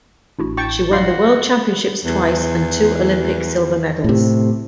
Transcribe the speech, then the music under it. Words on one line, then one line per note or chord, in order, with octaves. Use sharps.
She won the World Championships twice and two Olympic silver medals.
A1 D4 E4 F#4
G5 A5 C#6
G2 F3 D#4 F4 F#4 C6
E2
A2 C3